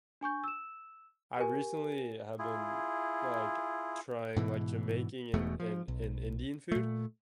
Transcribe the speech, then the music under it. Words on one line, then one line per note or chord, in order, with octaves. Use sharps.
I recently have been, like, trying, like, Jamaican and and and Indian food,
D4 G#5 C#6 G6
E6 E7
G4 A#4 G#5
E4 F4 G#4
G#2 B2 E3
E1 E2 B2 A3
F3
B1
A#2 A3